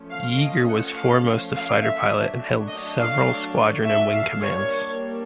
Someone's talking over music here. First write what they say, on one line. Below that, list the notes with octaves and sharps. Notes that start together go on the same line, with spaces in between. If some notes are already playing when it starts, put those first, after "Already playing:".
Yeager was foremost a fighter pilot and held several squadron and wing commands.
Already playing: F3 A3 C#4
F5
D#5
F#5
F5
F5
E5
F#3 A3 D4
D#5
F5
E5
F5
G3 A#3 D4 C#5